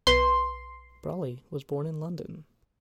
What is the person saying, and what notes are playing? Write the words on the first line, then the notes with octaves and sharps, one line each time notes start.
Brolly was born in London.
B1 B4 C6